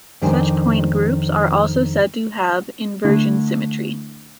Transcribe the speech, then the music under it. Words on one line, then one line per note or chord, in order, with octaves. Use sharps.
Such point groups are also said to have "inversion" symmetry.
F2 D#3 D4 C5 G#5
D3 A3 D4 E4